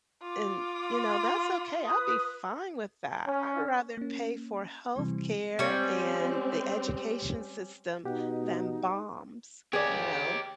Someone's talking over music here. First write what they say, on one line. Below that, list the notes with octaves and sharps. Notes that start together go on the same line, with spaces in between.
b and, you know, that's okay, I'd be fine with that, I'd rather pay for healthcare and the education system, than bombs, you know?
F4 D6
B4 D#6
C#4
A#3 C#4
C3 E3 G3 C4
G3 G#3 C4 C#4
B2 D#4 G4 F#5
G4 G#4 C#5 D5